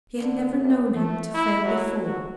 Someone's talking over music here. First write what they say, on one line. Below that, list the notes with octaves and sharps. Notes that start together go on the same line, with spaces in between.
She had never known him to fail before.
D3
F#2
A3
E4
F#3
F#4